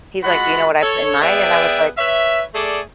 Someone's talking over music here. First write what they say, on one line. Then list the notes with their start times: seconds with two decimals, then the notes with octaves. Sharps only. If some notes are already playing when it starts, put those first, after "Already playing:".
He's like, "Do you know what I put in mine?" And I was like
0.23 G#3 F4 F#4 F#5 B5
0.82 A4 C#5
1.22 B3 G#4 D5 E5 G5
1.98 B4 C#5 E5
2.55 A3 G#4 A4 D5